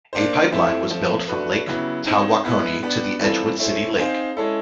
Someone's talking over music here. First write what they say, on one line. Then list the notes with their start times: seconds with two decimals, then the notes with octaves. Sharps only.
A pipeline was built from Lake Tawakoni to the Edgewood City Lake.
0.13 A#3 D4 G4 C5
0.51 F3 A3 C4 E4 G4
0.90 F3 A3 C4
1.28 A3 D4 F#4 B4
1.67 C#3 F#3 B3 E4 G4
2.06 G#3 C4 D#4
2.44 G#3 B3 E4
2.83 B3 D4 G4
3.20 E3 G3 C4 F4 A4
3.59 A3 C#4 E4 G#4 C5
3.98 C4 D#4 G#4 C5 F5
4.37 G#3 C#4 E4 A4